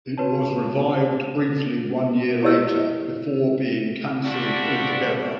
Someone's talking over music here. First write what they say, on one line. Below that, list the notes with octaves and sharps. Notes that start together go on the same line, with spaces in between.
It was revived briefly one year later, before being cancelled altogether.
F#4 B4 C#5 A5
E4 G4 C#5 D#5 E6
F3 G3 A3 D4 E4 F#4